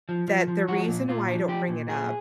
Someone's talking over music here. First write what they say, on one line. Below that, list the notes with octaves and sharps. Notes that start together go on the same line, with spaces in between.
that the reason why I don't bring it up
F3
F3
F3
F3 F#4
A#2
A#2 F4
F3
F3 G4
A#2
A#2 G#4